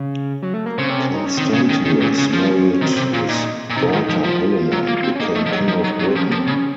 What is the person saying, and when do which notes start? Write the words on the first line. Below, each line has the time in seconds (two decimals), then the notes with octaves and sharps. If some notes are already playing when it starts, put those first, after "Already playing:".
Constantius married his daughter Helena and became king of Britain.
Already playing: C#3
0.42 F#3
0.54 A3
0.66 A#3
0.78 C#3 C4
0.90 C3 C#4
1.14 D#4
1.26 C#4
1.37 D#3 C4
1.49 C#4
1.54 C#3
1.70 D#3
1.85 D#3
2.01 A#2
2.18 C#3
2.33 F3 C#4
2.73 C#4
2.81 D#3 C4
2.97 C3 C4
3.13 A#2 F4
3.29 A#2 D#4
3.70 A#2
3.76 C3 D#4
3.93 D#3 F4
4.01 D#4
4.09 F3
4.24 F3 F4
4.72 F#3
4.88 A#3
5.04 C4
5.15 C#4
5.20 A#3 D#4
5.35 A3
5.46 F3
5.52 F#3
5.68 F3
5.84 F#3
6.00 F#3
6.08 C4
6.16 F3 C#4
6.29 F3 A#3
6.40 C4
6.47 C#3
6.52 C#4